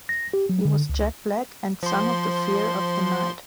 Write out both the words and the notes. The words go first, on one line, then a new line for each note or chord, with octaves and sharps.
He was jet black and son of the fear of the night.
A#6
G4
F#3
D3
C#2
F3 C6